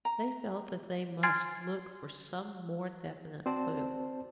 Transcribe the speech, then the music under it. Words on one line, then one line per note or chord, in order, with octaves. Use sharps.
They felt that they must look for some more definite clue.
A#5
G#5 C6 F6 G#6 A6 C7
C4 F#4 C5 D5 A5